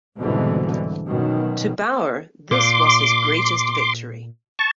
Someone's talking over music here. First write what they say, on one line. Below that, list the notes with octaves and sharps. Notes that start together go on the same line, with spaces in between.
To Bauer this was his greatest victory.
C2 G#2 B2 D3 E3
F#2 B2 D#3
A#2 C6 D6
A5 C#6